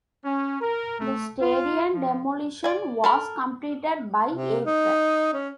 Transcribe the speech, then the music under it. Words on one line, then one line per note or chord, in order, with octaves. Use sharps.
The stadium demolition was completed by April.
C#4
A#4
A3
F4
F3
D5 G#5
A4 A#4 B5
C3
D#4
C#4